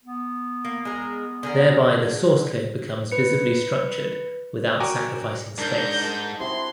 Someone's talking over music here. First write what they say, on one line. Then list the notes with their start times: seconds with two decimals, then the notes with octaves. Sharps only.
Thereby the source code becomes visibly structured without sacrificing space.
0.04 B3
0.65 A#3
0.85 G#3 A#4
1.43 D3 G#4 A#4
3.12 B4 C#7
4.80 F#4 A#4 G5 G#5 A#5 D6
5.58 G#2 D4 A#4 G6
6.01 D#4 A4
6.40 C3 E4 F#4 C6